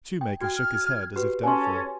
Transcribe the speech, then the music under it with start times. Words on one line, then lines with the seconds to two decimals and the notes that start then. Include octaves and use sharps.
The shoemaker shook his head as if doubtful.
0.21 G5
0.41 F#4 G5 F6 G#6
1.16 F#4 G4 B4
1.43 C#4 A4 G#5 C6